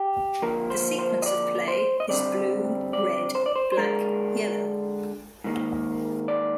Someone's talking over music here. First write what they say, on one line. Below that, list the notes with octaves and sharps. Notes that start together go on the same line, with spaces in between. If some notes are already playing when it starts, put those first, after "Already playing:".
The sequence of play is blue, red, black, yellow.
Already playing: G4
D3 F3 A#3 A#4
C5
C5
D#5
D5
C5
D#5
G2 D3 G3 C4 D5
D5
C5
D5
C5
C5
D3 G#3 D4 A#4
G#2 D#3 A#3
D5